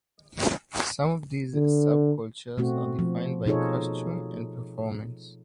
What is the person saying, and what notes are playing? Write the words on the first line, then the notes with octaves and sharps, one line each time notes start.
Some of these sub-cultures are defined by costume and performance.
D3
B2 A3 C4 F#4
F3
B2 D#4 F4 G#4 A4 C#5